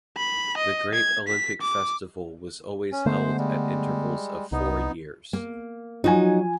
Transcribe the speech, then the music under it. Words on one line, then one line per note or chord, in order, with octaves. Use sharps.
The great Olympic festival was always held at intervals of four years.
B5
D#5
G#6
B6
D6
C#4
D3 G#3 A3 B3 C5
G3 G#3
C2 B3 D#4
A#3
F3 F#3 D#4 F#4 G#5